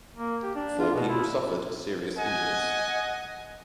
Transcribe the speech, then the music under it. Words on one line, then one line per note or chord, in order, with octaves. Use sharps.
Four people suffered serious injuries.
A#3
G4
D4
F4
B2
E4
D#5 F#5 G#5